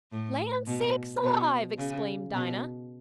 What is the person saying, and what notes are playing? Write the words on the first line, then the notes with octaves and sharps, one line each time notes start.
"Land sakes alive!" exclaimed Dinah.
A2
B2
B2
C#3
B2